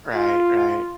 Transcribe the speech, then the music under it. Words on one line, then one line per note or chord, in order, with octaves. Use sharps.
Right, right.
F4